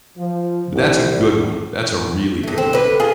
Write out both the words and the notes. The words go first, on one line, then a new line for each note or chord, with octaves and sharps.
but that's a good one, that's a really good one.
F3
C2
G2 A3
C4
D3 B4
F4 G#4